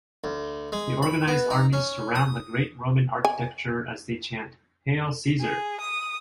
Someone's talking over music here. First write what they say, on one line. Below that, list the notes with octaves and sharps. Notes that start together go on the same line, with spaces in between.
The organized armies surround the great Roman architecture as they chant, Hail Caesar!
D2
G#3
B5
B3
D#4
C#4
D#6
G#5
G#4
D#6